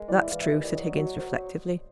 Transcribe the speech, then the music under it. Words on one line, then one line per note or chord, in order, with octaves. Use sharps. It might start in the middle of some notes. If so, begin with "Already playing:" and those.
'That's true,' said Higgins, reflectively.
Already playing: G#3 A#4
E3 D5
E5
E3 F5
E5
D#2 D#5
D5
F#3 D#5
D5
F#3 C#5
F#3 C5